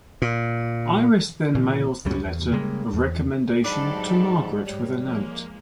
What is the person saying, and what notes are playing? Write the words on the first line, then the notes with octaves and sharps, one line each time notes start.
Iris then mails the letter of recommendation to Margaret with a note.
A#2
A#2 D3 E3
C#2 F#2 G3 C#4
E2
C#3 G3 G#3 A#3
E2
G#2 F#3 D4 G4 A4 B5
G#2 G3 C#5
F3 G#3 A#3